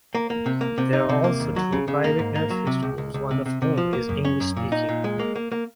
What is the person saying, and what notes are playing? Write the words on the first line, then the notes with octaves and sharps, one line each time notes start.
There are also two private nursery schools, one of whom is English-speaking.
A#3
A#3
C3
A#3
C3
D#4
C3
A#3
D#2
F#3
C#3
C#3
A#3
G#2
A#3
F#3
C3
C#2
C#2
C#2
C3
C3
C3
F3
A#3
F#2
C#4
F#2
A#2
D#4
A#2
G#3
A#3
A#3
A#3